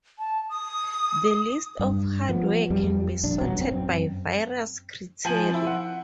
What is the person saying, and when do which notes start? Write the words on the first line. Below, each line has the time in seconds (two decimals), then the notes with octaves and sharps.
The list of hardware can be sorted by various criteria.
0.19 A5
0.49 D#6
1.79 G2
2.29 F3 B3
2.70 F2 G3
3.23 A#1 D4
3.41 D#1 A#1 F#3 B3
3.59 F#2 C4
5.25 F3 G#5 D#7 F#7
5.50 C4 E4
5.67 F#5